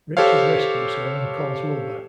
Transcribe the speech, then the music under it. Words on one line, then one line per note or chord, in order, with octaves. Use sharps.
Richard rescues her and calls Wilbur.
G4 A4 C5 C#5 F5